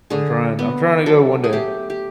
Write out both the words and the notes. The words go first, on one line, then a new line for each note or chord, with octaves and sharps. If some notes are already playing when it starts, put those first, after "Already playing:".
I'm trying I'm trying to go one day.
D3 G#4
B3
F#3 A4
G#4
A3 G4
G4